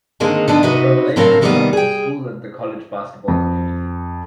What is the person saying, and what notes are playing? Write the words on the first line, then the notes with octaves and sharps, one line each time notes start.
The revelations shocked the school and the college basketball community.
D3 D#3 G#3 A#3 C4 D#4
D3 B3 D4 D#4
C3 D#4 F#4 B4
A2 F#3 C4 A4 A#4 F5
C3 D#3 F#3 G3 A#3 B3
G#4 G5
F2